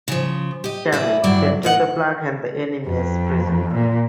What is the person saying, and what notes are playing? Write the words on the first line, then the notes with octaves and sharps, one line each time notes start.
Sherman then took the flag and the enemy as prisoner.
C#3 F3
G4 D#5
E4 G#4 D5
G2 D3 F#3 E4 D5
A#4 D#5 F#5
F2
A#2